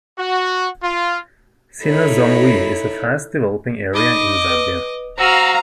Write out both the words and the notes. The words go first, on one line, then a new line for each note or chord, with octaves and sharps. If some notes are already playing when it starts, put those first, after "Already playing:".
Sinazongwe is a fast developing area in Zambia.
F#4
F4
D#4 E4 A4 C#5 B5
D#4 D#5 B5 D6
B4
F#4 C5 F5 A#5 E6 D#7